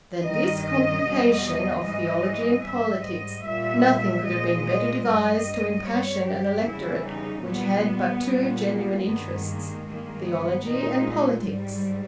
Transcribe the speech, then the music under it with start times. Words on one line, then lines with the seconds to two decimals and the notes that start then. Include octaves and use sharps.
Than this complication of theology and politics nothing could have been better devised to impassion an electorate which had but two genuine interests-- theology and politics.
0.22 G2 D#3 G3 D#5
0.63 D#5
1.03 E2 B2 G3
1.43 D#5
1.83 G#2 E3 G3 D#5
2.63 G#2 G3 E5
3.04 D#5
3.44 A#2 G3 E5
4.24 A#2 G#3 D#5
4.64 D#5
5.05 G2 G3 D#5
5.85 G2 G3 C#5
6.25 G4
6.65 E2 C#3 E3 G3 E4
7.05 D#4
7.45 A#2 G3 B3
8.26 A#2 G3
8.66 A#3
9.06 G2 D#3 G#3 B3
9.46 A#3
9.86 G2 D#3 G#3 A#3
10.27 B3
10.67 A#2 G#3 D#4
11.47 G#2 G3